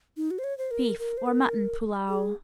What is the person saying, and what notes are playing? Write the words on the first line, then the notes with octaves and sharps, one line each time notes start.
Beef or Mutton Pullao.
D#4
F#4
C5
C#5
C5
A#4
A#4
C5
A#4
G#4